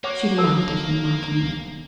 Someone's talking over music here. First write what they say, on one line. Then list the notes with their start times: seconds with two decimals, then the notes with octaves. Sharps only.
She laughed at him mockingly.
0.04 A#3 C#5 F#5 D6
0.38 A4 A#4 A5